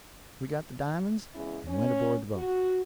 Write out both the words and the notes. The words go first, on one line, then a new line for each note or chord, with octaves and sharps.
We got the di'monds and went aboard the boat.
E2 C#3 G#3 C#4 E4
C#4
F#4